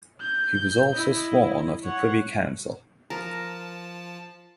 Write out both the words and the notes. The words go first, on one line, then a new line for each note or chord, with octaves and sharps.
He was also sworn of the Privy Council.
G6
E4 D#5
C#5 F#5
F3 A#4 A5